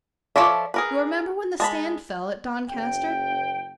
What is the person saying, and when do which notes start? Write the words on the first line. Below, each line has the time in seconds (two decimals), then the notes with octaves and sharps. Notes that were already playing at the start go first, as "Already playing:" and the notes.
You remember when the stand fell at Doncaster?
0.36 F3 A4 C#5 D5 E5
0.74 G#4 A#4 B4
1.60 G#3 A5 B5
2.71 F#1 G5